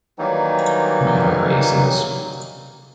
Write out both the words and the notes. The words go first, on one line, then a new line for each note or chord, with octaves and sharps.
My heart races.
D#3 E3 F#3 G3 A#3 D#4